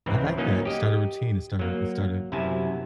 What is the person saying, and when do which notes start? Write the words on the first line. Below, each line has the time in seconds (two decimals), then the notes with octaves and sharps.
I like that. Start a routine. It started it started
0.06 C#2 G#2 C#3 E3 C4
0.37 F#3 A#3 C#4 D#4 D#5
0.65 G4 D#5
1.59 F#3 A#3
2.32 F#2 C3 E4 G#5 A5